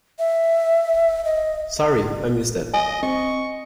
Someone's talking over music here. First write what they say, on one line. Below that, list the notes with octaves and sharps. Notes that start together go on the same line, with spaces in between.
Sorry, I missed that.
E5
D#5
D#5 G#5
C4 D#5 C#6